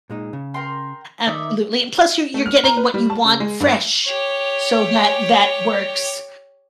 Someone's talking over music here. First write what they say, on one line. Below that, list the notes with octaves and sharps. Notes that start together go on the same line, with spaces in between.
Absolutely, and plus you're you're getting what you want fresh, so that that works,
A#2 G#3 D#4
C#3
A#4 G5 C6
D#3 D#4 D5 E5
A3
F6
A#5
B4
G3
A5
C#3
G#3
G2
G4 C#5